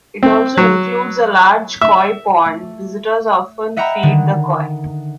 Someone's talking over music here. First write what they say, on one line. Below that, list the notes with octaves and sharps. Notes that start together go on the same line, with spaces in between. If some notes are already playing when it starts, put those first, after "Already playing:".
It also includes a large koi pond; visitors often feed the koi.
C4
F#3
E5
A3
D#5 E5 F#5 G5 A#5 B5
D3 D#3 D4